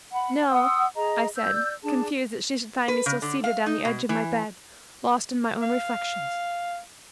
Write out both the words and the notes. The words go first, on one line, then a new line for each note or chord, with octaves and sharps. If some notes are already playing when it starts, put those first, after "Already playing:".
"No," I said, confused that she should find me still seated on the edge of my bed, lost in my own reflections.
F#5 B5
F#5 C6 D#6 E6
G#4 D#5 A#5
D5 E6 G6
D4 G#4 A5
B4
C#3
D3
F5
D#4
B2
E3
F5